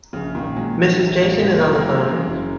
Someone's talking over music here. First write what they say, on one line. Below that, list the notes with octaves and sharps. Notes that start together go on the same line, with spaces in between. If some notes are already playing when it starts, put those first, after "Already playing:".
Mrs. Jason is on the phone.
A#1 C#3
A#2 D#3
F#3 G#3
D#4
A#1
A#2
F#1 G#3
A#3
F#2
A#3
F#3
G#3
C#3 A#3
F#1